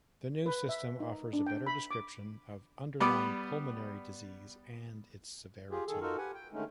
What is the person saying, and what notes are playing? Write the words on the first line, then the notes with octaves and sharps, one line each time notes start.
The new system offers a better description of underlying pulmonary disease and its severity.
B4
E5
D#4
D4
G5
B5
D6
G3 B3 B4 D5
F4 G4 G#4
D#3 G#4 A4
D#4 F4 F#4 A4 A#4
G4 B4 F#5 G#5
G5
D3 D#3 G#3 A3 C#4 D#4